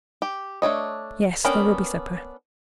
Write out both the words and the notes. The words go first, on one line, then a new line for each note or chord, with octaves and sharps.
"Yes, there will be supper."
G4
A3 D4 C#5 D#5
B3 C#4 D4 A#4 G5